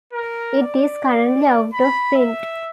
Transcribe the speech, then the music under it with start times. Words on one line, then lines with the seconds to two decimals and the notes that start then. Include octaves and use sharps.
It is currently out of print.
0.13 A#4
0.60 D5
1.73 B5
2.15 E5